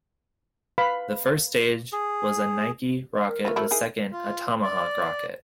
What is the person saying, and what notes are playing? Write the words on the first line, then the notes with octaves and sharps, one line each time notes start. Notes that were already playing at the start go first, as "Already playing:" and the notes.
The first stage was a Nike rocket, the second a Tomahawk rocket.
B4 F5 B5
G#4
D#5
A#4
A3 F4 A#4 B4
F#3 A3 E4
D#4 E4 G#4
F4
D5